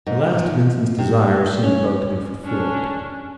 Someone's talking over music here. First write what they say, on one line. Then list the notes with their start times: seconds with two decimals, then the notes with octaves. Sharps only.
At last Vincent's desire seemed about to be fulfilled.
0.06 G#2
0.37 F3
0.98 C3
1.63 C#4
2.44 C#4 D4